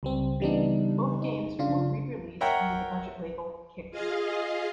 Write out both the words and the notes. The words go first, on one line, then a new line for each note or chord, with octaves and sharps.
Both games were re-released under the budget label Kixx.
C#2 G3 C4
C#3 E3 G3 B3 D4 D#4
D#4
C#3 D4 F4
A#4 C#5 E5 F#5 G5 A#5
F4 G#4 D#5 F5